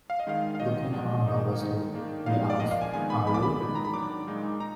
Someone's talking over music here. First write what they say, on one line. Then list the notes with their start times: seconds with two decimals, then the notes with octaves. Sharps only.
Looking around nervously, he asks, Are you...
0.10 F5
0.20 D#5
0.26 D#3 G#3 D4 F5
0.55 F5
0.60 D#3 F#3 A#3 D#4 D#5
0.93 F3 G#3 D4
1.26 D#3 A#3 D#4
1.60 D#3 G#3 D#4
1.93 D#3 A#3 D4
2.26 F3 G#3 B3 D#4 F5
2.50 D5
2.60 F3 A#3 D4 D#5
2.71 F5
2.82 G#5
2.93 D#3 G#3 B3 G#5
3.10 B5
3.26 F3 B3 D4 B5
3.34 D6
3.43 B5
3.60 D#3 G#3 D4
3.75 A#5
3.85 B5
3.93 D#3 F#3 D4 D6
4.27 A#2 G#3 D#4
4.60 D#4 A#5